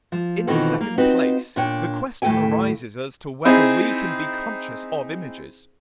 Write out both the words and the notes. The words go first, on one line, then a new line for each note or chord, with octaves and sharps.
In the second place, the question arises as to whether we can be conscious of images.
F3
B2 D#3 E3 C4 F4 A4
A#3
C4 D#4 F4 F#4 B4
A#2 D4 C#5 G5
D#2 A2 A3 A4 G5 G#5
C4 D#4 E4 G#4